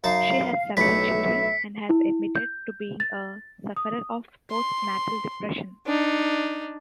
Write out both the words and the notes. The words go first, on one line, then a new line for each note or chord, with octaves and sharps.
She has several children and has admitted to being a sufferer of post-natal depression.
F#2 D#4 F5 A5
B1 A2 D4 E5 B6 C#7
E4
G6
A6
D#6
C6
D4 D#4